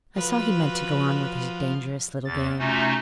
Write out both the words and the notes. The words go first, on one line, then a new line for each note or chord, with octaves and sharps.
I saw he meant to go on with his dangerous little game.
F3 F#4 B4
E2 A6
C3 A3 C#4 D#4 F4 F#4